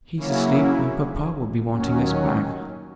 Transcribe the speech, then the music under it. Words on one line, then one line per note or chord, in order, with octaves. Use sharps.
He's asleep, and papa will be wanting us back.'
C#3 F#3 A#3 C#4 E4
D#2 D#3 F#3 C#4